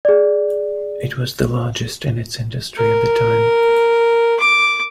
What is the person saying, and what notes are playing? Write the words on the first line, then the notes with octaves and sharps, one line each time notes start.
It was the largest in its industry at the time.
G#4 D5
A#4
D6